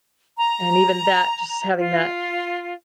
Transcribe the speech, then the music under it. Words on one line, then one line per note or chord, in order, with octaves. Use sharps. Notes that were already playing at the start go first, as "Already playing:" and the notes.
and even that, just having that,
A#5
F4